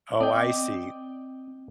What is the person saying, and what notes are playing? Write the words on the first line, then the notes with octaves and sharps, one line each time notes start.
Oh, I see.
C4 D5 D#5 G5